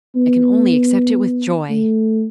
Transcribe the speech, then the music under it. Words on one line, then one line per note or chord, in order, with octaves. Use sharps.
I can only accept it with joy.'
B3
A3